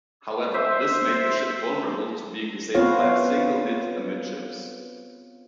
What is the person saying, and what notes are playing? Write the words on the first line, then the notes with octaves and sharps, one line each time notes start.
However, this made the ship vulnerable to being disabled by a single hit amidships.
C5 E5
B3 C4 F4 B4 C#5 F5